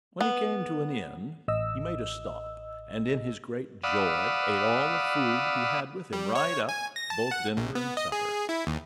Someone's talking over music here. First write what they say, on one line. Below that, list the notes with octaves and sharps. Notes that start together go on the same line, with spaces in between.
When he came to an inn, he made a stop, and in his great joy ate all the food he had with him right up, both dinner and supper.
B3
A1 D#5 E6
D5 F5 F#5 B5 D#6 E6
G3
C#5
G#5
A#6
A5
F#5
A#1
B3
D#5
G#4
E4
D#2